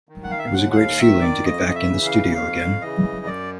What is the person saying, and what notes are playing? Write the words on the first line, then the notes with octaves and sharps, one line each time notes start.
It was a great feeling to get back in the studio again.
D#3
F#5
F5
E5
F5
D#2 F#5
F#5
F5
D#3 E5
D5
F2 D#5
D#5
E5
C#3 E3
F5
F2 F5
C#3 E3 D#5
F#2 D5